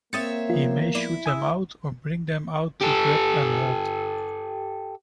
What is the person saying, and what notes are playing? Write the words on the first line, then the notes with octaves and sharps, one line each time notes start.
He may shoot them out or bring them out to grab and hold.
A#3 C4 C#5 E5 D#6 A6 C#7
F3 B3 F4
E4 D5
G#5 D#6 E6
G4 A4